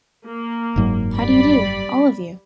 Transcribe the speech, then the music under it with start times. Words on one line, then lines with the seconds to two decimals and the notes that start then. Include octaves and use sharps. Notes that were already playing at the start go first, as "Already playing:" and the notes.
How do you do, all of you?
0.24 A#3
0.76 F#1 G#2 F#3
1.14 G3 D5 B5